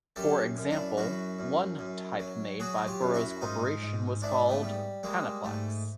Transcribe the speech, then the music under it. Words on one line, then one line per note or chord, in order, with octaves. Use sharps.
For example, one type made by Burroughs Corporation was called "Panaplex".
F#2 G4 A4
F#2
D4 E4
F#2 E4 F#4
F#2
F#2
F#3
F#3 F#4 G#4
F4 G4
F#2
E4 F#4
G#2 D#4 F4
G#2
G#2 D4 E4
A3 B3
G3
G3 G#3 A#3
G#2 A3